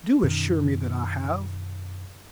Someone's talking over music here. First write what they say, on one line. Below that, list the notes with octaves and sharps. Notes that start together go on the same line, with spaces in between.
Do assure me that I have.
F#2 B2 D#3 C#4